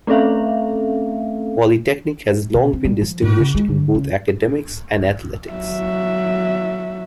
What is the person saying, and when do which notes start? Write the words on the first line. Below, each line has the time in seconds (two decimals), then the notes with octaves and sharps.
Polytechnic has long been distinguished in both academics and athletics.
0.07 A3 C4 C#4 A4 E5 F5
2.54 B2
2.73 C4
2.85 G3
3.01 F3
3.22 G#2
3.38 C#3
3.55 G#3
3.68 D3
3.95 C#2
5.51 F#3 E5